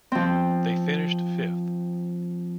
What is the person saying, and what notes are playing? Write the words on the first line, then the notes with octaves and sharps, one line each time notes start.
They finished fifth.
F3 C4